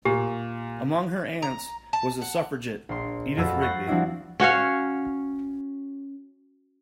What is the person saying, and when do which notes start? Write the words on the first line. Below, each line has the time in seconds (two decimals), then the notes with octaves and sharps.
Among her aunts was the suffragette Edith Rigby.
0.05 A#2 G4
1.42 A#5
1.93 A5
2.22 F#5
2.89 A#1 C6
3.37 F2 F#4 B5 E6 A6 D7
3.61 C#6 F#6 G6 A6 A#6 C7
3.87 F3 G3 C4 D4 E4 F#4
4.40 C#4 F#4 C#5 F5